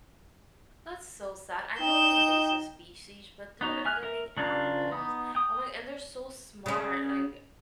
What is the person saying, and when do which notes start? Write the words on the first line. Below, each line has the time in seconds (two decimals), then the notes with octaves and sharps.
that's so sad. I know they're invasive species, but they're living animals. Oh my and they're so smart, like e
1.80 D#4 D#5 G5 G6 E7
3.61 B3 D#4 F#4
3.85 E5 G#5 F6 F#6
4.03 A#4 E5
4.37 C#3 D4 F4 A#4
4.92 B3 D#4
5.35 G5 D#6
6.66 C#3 C#4